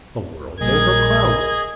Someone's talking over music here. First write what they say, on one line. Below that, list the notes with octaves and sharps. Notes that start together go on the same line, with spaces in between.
The world's overcrowded.
A#1 A#2 G3 G#4 A#4 D#5 G#6